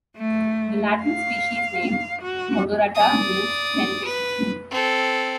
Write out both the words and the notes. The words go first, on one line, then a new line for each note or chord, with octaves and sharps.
The Latin species name "odorata" means "scented".
A3
F5
F#4
D5 D#6
B4
C4 A4